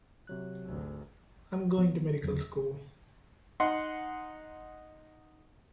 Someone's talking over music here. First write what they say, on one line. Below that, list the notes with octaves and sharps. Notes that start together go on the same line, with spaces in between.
I'm going to medical school.
C3 F#3 F#6
G#1 D2
F3 F#3 B3
E2 D3 F#3
D#4 F#5 C6